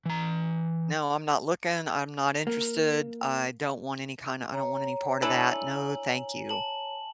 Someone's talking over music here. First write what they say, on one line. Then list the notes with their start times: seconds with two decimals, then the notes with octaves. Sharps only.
no, I'm not looking, I'm not interested, I don't want any kinda I don't want any part of that, no, thank you.
0.06 E3 A#5
2.47 A#3
4.53 C#5 A#5
5.22 D4 E4 A4 G#5 F#7
6.49 A5 F#7